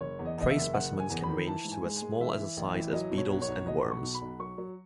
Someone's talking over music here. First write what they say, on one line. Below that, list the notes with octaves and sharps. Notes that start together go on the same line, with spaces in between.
Prey specimens can range to as small a size as beetles and worms.
F#1 C#5
E2
D#5
E2 D#5
E5
F#1
F#1 F#5
F#1
G#5
E2
B5
D#3
E3 A5
G#2
G#5
G#3
G#5
G#3
E3 E5
E3
A1
E3
F#3 D#5
B2
C#5
B1
C#5
B1
B2 D#5
B1
C#6
B2
B5
B1
F#3 C#6
F#3